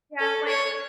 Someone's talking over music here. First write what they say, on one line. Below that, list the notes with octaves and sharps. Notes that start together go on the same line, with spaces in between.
Yeah, like,
A4
C#5